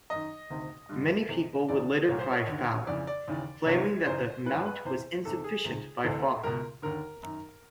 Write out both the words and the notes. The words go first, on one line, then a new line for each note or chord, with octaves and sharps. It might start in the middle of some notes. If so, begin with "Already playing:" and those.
Many people would later cry foul, claiming that the amount was insufficient by far.
F#2 D#3 D#5
D2 C3 D#3
G2 D3
E2 C3 E3
D2 C3 E3 D5
C2 A#2 C#5
C5
C#5
D#2 D3
F2 C#3 E3 D5
D5
D#2 C#3 E3
C2 C3 D#3 C#5
F#2 C#3 E3 C5
G2 E3 B4
B4
E2 C3 E3 C5
E2 C3 D#3 A4
G#4
C#2 C3 D#3
D2 C3 E3 A4
C#2 B2 A#4
D#2 D3 A#4
F#2 D#3